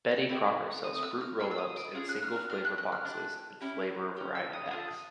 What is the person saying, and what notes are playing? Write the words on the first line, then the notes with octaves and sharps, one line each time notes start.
Betty Crocker sells Fruit Roll-Ups in single-flavor boxes and flavor variety packs.
A3 C4 E4 G4
A3 C4 D#6
E6
F6
C#4 F4 G#4 E6
E6
D#6
D6
C#4 F4 G#4 D#6
F#6
F6
F6
D4 G4 F6
F#6
F#6
F6
D4 G4 F#6
C#4 E4 G4
C#4 E4 G4
E6
D#6
D4 F4 A4 D#6